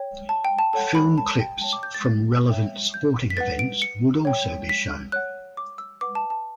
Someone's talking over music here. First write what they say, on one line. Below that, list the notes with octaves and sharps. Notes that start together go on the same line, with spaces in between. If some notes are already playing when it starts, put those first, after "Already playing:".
Film clips from relevant sporting events would also be shown.
Already playing: C#5 G5
A5
G5
A5
A4 C#5 F#5 A5
B5
A5
G5
C#5 G5 A5
D6
G6
A6
A6
C#5 E5 G5
G6
B6
B4 F#5 A6
D7
C#7
C#5 G5
B6
C#5 F#5 F#6
D6
E6
B4 F#5 D6
A5
A5